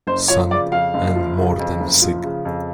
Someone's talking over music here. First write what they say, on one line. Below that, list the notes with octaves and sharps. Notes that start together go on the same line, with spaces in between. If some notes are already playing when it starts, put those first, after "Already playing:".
Sundt and Morten Sig.
F#1 C5
F3 C#5
C#3 D5
F2 F5
F#1
F3
C#3
F2
F#1
F3
C#3
F2